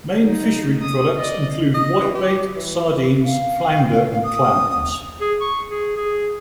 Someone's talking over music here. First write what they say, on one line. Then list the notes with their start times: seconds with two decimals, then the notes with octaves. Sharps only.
Main fishery products include whitebait, sardines, flounder and clams.
0.23 D#4
0.83 D#6
1.17 D5 D#5
1.74 D#5
2.01 E3
2.15 G4
2.56 E3
3.25 F5
4.23 D#6
5.21 G#4
5.41 C#6
5.71 G#4
5.97 G#4